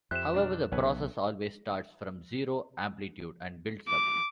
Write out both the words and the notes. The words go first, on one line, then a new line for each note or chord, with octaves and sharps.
However, the process always starts from zero amplitude and builds up.
F2 G4 C5 E5 F#6 E7
B1 D4 F6
B1 A4 B4 C#5
D6